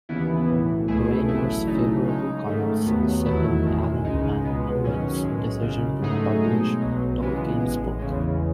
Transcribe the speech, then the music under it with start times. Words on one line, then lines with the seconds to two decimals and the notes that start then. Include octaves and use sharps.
Rayner's favourable comments settled Allen and Unwin's decision to publish Tolkien's book.
0.09 D#2 C#3 E3 B3 E4
0.49 B1 A2 E3
0.88 C#2 B2 A3 E4 G#4
1.28 A1 A2 F#3 A3 E4
1.67 C#3 F#3 A3 D#4
2.07 C#3 G#3 D#4
2.47 G#2 D#3 A3
2.86 D#2 D#3 F#3 B3
3.26 E2 D#3 F#3 A3 E4
3.65 G#1 F#2 D#3 G#3
4.04 C#2 C#3 G#3 D#4
4.44 C#2 B2 G#3 B3
4.84 F#2 D#3 F#3 C#4
5.23 B1 A2 G#3
5.62 F#2 C#3 G#3
6.02 G#2 F#3 A3 D#4 G#4
6.41 B2 G#3 D#4
6.81 B1 B2 F#3
7.20 C#3 E3 G#3 B3
7.60 A1 A2 G#3
7.99 E2 C#3 E3 G#3